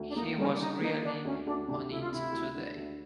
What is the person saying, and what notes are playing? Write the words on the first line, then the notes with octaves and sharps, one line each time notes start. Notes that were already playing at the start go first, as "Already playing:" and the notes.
He was really on it today.
Already playing: D2
D4
A#3 D#4
G3 C#4
D4
D3 D#4
A#3 D#4
D3 D4
D2 C#4
D2 D4
C3 D4
D2 E4
F4
C3 E4
D2
D3
D2